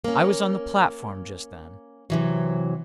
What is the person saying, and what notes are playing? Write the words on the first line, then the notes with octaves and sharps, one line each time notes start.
I was on the platform just then.
A#3 C#4
C3 E3 F#3